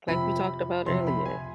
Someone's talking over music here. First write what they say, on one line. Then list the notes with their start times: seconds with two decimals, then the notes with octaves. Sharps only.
like we talked about earlier,
0.08 F2 C3 F3 B5
0.86 F2 C3 F3 C6
1.07 B5
1.26 G#5